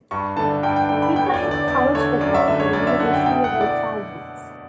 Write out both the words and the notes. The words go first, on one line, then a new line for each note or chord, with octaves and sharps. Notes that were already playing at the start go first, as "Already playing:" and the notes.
He played college football for the University of Utah Utes.
G2 C#6
D3 A3 D4 A5
G2 G5
G5
D3 A3 D4 G5
B5
E2 G5
C#5
D5
D3 A3
D5
E2 D5
D3 A3 C#5
F#2 D5
E5
D3 A3 E5
C#5
F#2 D5
E5
D3 A3 F#5
G5
B2 G5
F#5
A3 E4
D5